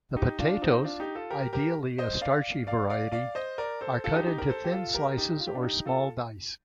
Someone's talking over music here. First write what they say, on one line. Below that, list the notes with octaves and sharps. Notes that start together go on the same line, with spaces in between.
The potatoes, ideally a starchy variety, are cut into thin slices or small dice.
D#4 G4
D4 F4
C4 D#4
D4 F4
D#4 G4
F4 A4
G4 A#4
G4 A#4
C5 D#5
D5 F5
D5 F5
D5 F5
D5 F5
C5 D#5
A#4 D5
A4 C5
F4 A4
D#4 G4
D#4 G4
G4 A#4
A4 C5
G4
F4 A4
G4 A#4
D#4 G4
F4
G4
D4 F4
D#4 G4
F4 A4